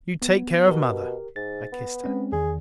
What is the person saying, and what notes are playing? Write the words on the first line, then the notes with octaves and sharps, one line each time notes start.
"You take care of Mother." I kissed her.
B3
B2 G4 A#4
G#2 A6
B3
G#3 C4 C#4
E2 D#3 G#4